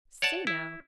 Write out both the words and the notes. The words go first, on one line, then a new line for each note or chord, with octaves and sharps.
"Say, now."
C#5 D5 F#5 A5
E4